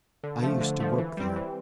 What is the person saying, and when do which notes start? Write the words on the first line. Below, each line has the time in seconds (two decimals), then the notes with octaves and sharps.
"I used to work there."
0.23 D3
0.42 F3 A3
0.61 D3
0.80 F3 A3
0.98 E3
1.17 G3 C4
1.36 E3